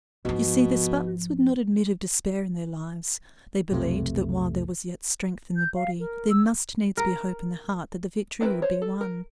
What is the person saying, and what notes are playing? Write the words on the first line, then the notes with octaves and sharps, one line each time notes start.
You see, the Spartans would not admit of despair in their lives; they believed that while there was yet strength in the body, there must needs be hope in the heart that the victory would be won.
G#2 B2 F3
B1 F2 C3 A3
G6
F5
A#4
E6
A#4
C4 D4 E4 A#4 B4
C5 C#5
A4
A#4